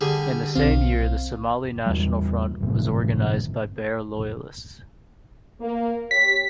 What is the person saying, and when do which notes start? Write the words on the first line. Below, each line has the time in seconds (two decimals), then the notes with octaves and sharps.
In the same year the Somali National Front was organized by Barre loyalists.
0.01 D3 G3 G#4
0.55 B1 C4 F4
1.86 E2 G3
2.61 G1 A2 C3
5.61 A#3
6.11 G4 C#5 B6